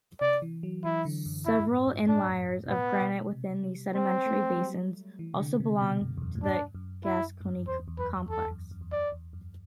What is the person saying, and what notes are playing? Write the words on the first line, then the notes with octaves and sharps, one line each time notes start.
Several inliers of granite within these sedimentary basins also belong to the Gascoyne Complex.
C3 D5
E3
F#3
E3 E4
D3
F#2
F#2 E4
G2
A2
G2
A2 D4
F#2
F#2
B2
A2 B3
B2
C3
G3
G3 C4
A3
F#3
G3
E3
C3
D3
C3
B2
F#2
E2
F#2
A2
G2 D4
F#2
F#2 E4
G2
F#2
E2 C5
E2
F#2 B4
E2 A4
E2
F#2
F#2
E2
F#2 D5
E2
F#2